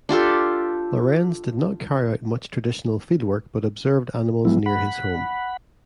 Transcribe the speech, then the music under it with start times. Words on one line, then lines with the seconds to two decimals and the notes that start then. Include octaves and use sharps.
Lorenz did not carry out much traditional fieldwork but observed animals near his home.
0.09 D4 F4 G4 A4
4.45 F3 F#3 G#3 B3 E4
4.66 F#5 B5